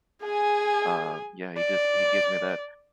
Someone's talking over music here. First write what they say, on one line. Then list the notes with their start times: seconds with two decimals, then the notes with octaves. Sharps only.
uh, yeah, he just he gives me that
0.23 G#4 G#5
1.57 D5